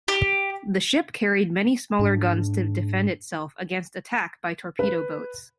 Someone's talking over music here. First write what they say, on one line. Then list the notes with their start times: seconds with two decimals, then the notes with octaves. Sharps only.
The ship carried many smaller guns to defend itself against attack by torpedo boats.
0.08 G4
1.99 G#2 D4
4.79 B4